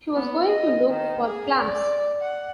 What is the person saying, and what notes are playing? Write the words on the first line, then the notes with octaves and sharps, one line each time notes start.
She was going to look for clams.
B3
D#5
D#3
G#4
D5
F#5